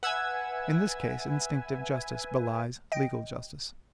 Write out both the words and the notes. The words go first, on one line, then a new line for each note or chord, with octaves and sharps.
In this case, instinctive justice belies legal justice.
B4 E5 F#5 G#5 E6 G#6
D#5 G5